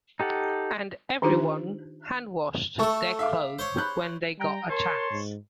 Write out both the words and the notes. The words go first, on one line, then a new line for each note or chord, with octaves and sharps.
And everyone hand-washed their clothes when they got a chance.
D#4 G4 A4 F#5
D#3 D4 D#4 F4 G4 C5
A3 A4 A5 C#6
E5 F5 D6
C5 C#5
B5 F#6 G6
G3 G5 A#5
A#4 C#5 A5 C6
G#2